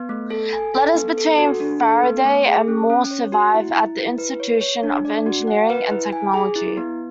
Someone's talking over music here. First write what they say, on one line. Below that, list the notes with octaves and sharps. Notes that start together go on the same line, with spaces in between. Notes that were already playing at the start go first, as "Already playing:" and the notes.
Letters between Faraday and Moore survive at the Institution of Engineering and Technology.
Already playing: B3
A3
A4
G#5
A4
B3
A4
F#4
D4
A4
B3
A3
G#4
C#4
C#4
C#5
F#4
E4
E4
E4
B4
C#5
C#5
D4
D5
F#4
F#5
B4
E4
G#5
G#4
E4
B3